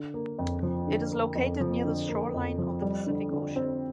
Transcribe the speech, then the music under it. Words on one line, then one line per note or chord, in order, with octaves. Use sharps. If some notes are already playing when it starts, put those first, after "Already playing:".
It is located near the shoreline of the Pacific Ocean.
Already playing: D3
A#3
F2
F3
D3
A#3
F2
F3
D3
A#3
F2
F3
G3
D3
D3
C4